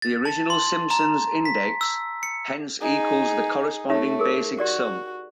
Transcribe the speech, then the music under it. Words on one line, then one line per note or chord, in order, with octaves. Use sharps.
The original Simpson's index hence equals the corresponding basic sum.
A6
A5
C6
A#5
B6
E6
C#7
D#4 G#4
A3 D#4 C#5 E5
G#4 A#4
F#4 G4 D5 C#6